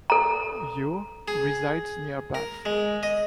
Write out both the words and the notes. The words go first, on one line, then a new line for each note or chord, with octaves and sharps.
Ure resides near Bath.
A4 A#5
G#4
A#4
G#3
D#5